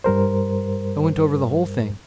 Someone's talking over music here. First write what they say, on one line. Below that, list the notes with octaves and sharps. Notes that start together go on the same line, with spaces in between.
I went over the whole thing.
G2 G3 A#4 C5